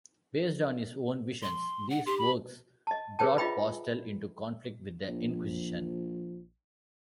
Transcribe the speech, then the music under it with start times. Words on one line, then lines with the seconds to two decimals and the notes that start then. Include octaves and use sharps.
Based on his own visions, these works brought Postel into conflict with the Inquisition.
1.42 C6
1.90 F#5
2.06 G4 C6
2.18 B5
2.87 D#5 A5
3.19 G#4 A#4 B4 C#5 G5 A5
3.38 F4 D#5 E5 G5 B5
5.08 A#1 F3